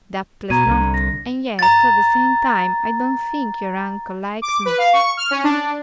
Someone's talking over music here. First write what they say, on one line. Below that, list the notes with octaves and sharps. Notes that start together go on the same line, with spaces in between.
"Doubtless not; and yet, at the same time, I don't think your uncle likes me."
B2 A#5 G#6 D#7
C2 D3
A#6
A#5 A6
D6
B4
F5
C#6
F6
C#4
D4